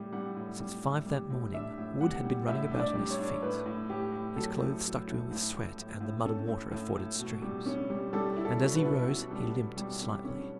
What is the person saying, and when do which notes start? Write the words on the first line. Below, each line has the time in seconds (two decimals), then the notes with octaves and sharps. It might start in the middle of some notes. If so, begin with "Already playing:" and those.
Since five that morning Wood had been running about on his feet, his clothes stuck to him with sweat and the mud and water of forded streams, and as he rose he limped slightly.
Already playing: A2 G3
0.13 G3 F#5
0.36 A2
0.60 G3
0.83 A2
1.06 G3
1.30 A2
1.54 D4 E5
1.78 A2
2.01 G3 F#5
2.24 G3
2.47 A2 E5
2.71 D4
2.80 D5
2.95 G3
3.10 C#5
3.19 D4
3.42 A2 B4
3.66 A2
3.89 A2 G4
4.12 A2
4.36 F#3 A4
4.59 A2
4.84 F#3
5.07 A2
5.31 A2
5.54 A2
5.78 A2
6.01 A2
6.25 C#4 A4
6.48 A2
6.71 A2
6.95 A2
7.19 B2
7.42 G3
7.66 C#4
7.90 G3
8.13 G3 A4
8.37 E4
8.45 A4
8.60 B2
8.75 B4
8.84 E4
9.07 B2
9.31 G3
9.54 B2
9.77 G3
10.02 G3
10.24 C#4